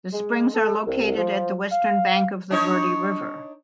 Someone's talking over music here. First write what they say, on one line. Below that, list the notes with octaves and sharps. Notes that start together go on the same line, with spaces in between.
The springs are located at the western bank of the Verde River.
G#3
A4
C2
F3
F5
D4 D#4 C#5